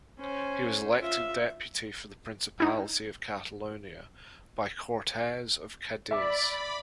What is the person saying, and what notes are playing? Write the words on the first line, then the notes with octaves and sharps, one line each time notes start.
He was elected deputy for the Principality of Catalonia by the Cortes of Cadiz.
C#4 C5
F4 E5
D#4 E4
D5 E5 B5 D6